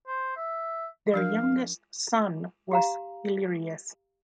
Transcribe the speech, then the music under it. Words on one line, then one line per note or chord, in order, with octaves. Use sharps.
Their youngest son was Illyrius.
C5
E5
F3 D4 A#4 F5
G4 F5 A#5